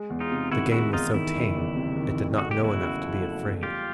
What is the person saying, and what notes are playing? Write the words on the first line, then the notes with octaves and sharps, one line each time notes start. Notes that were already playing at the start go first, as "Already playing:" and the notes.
The game was so tame, it did not know enough to be afraid.
Already playing: G#3
E2
D#4 F4
C3
D#3 E4 F#4
G#3 E4 F#4
E2 D#4 F4
D#3 E4
F#1
E2
C3
D#3
F#1
A3 F#4
G4
E2
E4 F#4
C#3
F3
A3
E2
G3 F4 G4